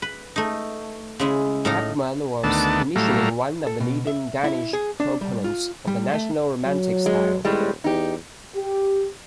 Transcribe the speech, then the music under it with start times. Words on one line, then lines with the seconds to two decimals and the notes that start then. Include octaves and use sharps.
Kampmann was initially one of the leading Danish proponents of the national romantic style.
0.02 B4
0.36 A3 D#4
1.19 C#3 G#3 E4
1.65 A2 D#4 A4 F5 A#5
2.44 D2 D#3 A3 B3 D4 A5
2.96 A2 F#3 G3 A3 F5 A#5
3.67 A4
3.80 B2
4.07 E5
4.44 E4
4.73 G#4
5.00 D4
5.21 G3
5.44 F4
5.87 G3
6.13 A3
6.65 F#3
7.06 G#3
7.45 D#1 A2 G3 G#3
7.84 E2 D#4 G4
8.55 G4